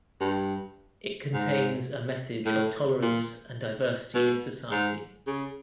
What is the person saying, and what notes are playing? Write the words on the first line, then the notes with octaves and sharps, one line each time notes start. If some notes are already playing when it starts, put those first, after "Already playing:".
It contains a message of tolerance and diversity in society.
G2
G#2
A2
A#2
B2
G#2
C#3